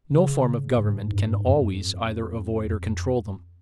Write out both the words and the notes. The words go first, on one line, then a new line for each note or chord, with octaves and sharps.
No form of government can always either avoid or control them.
C#3
G#2
G2
F2